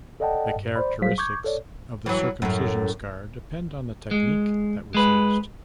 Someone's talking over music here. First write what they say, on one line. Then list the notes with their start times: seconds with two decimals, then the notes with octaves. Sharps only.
The characteristics of the circumcision scar depend on the technique that was used.
0.20 A4 D5 D#5 F#5 G5 A5
0.56 G2
0.76 C5 D5 B5
1.01 F#3 G3 G#4 C5 F5 B6
1.18 C#6 D6 G6 G#6
1.44 A4 C#5 D5
2.06 E3 F#3
2.42 F#2 A2
4.11 G#3
4.95 G#3 B4